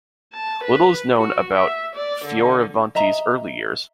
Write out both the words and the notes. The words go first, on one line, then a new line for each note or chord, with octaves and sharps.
Little is known about Fioravanti's early years.
A5
B4
F#4
E5
D5
D3
D#5 E5 A#5